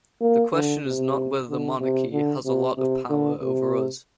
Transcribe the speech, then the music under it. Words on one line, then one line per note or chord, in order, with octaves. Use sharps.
The question is not whether the monarchy has a lot of power over us.
A#3
D3
C3
D3
C3
D3
C3
C3
D3
C3